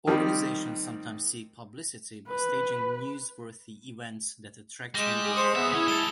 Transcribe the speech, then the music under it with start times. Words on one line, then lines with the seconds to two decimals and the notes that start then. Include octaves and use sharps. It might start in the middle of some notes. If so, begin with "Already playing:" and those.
Organizations sometimes seek publicity by staging newsworthy events that attract media coverage.
0.07 D#3 F3 G3 A#3 C4
2.29 B4
4.95 G3 G#3 A#6 E7
5.24 G#4
5.36 C5 D#6 C#7 E7
5.56 D#2 B3 G#4 E5
5.75 C#4 E4
5.88 G#3 A4 D#6 G7